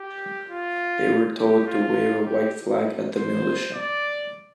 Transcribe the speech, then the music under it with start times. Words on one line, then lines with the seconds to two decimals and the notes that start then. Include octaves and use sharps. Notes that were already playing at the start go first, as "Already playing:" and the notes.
They were told to wave a white flag at the militia.
Already playing: G4
0.49 F4
1.37 G4
1.66 F4
2.26 G4
3.15 C5
3.73 D5